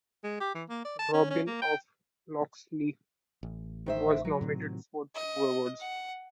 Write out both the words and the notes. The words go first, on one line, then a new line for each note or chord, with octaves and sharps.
"Robin of Locksley" was nominated for two awards.
G#3
G4
E3
A#3
D5
A5
C#4
C#4
A#3
G5
A1
D#3 C5 E5
F#3
A2 C3 D#3
D#5
F#5